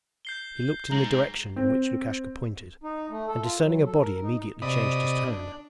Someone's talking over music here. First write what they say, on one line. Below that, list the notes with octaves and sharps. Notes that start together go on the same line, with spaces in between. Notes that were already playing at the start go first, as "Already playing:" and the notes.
He looked in the direction in which Lukashka pointed, and discerning a body immediately changed his tone.
G6 C7 G7
G#3 D#4 A#5
C4
D#4
A3
A4
F4
F#3
A4
A#4
D#4
C3 D5 D#5 B5 D#6
D4